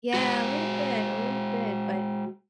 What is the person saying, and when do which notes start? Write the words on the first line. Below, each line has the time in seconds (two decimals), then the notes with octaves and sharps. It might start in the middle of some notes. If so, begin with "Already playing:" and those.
Yeah, a little bit, a little bit, but but
0.14 G#3 F#4